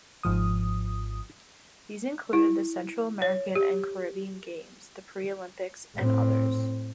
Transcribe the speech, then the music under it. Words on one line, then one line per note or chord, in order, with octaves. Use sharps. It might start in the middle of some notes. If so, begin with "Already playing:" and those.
These included the Central American and Caribbean Games, the Pre-Olympics and others.
G#1 G#2 F3 D#6
E4
C#5
G4
A2 C4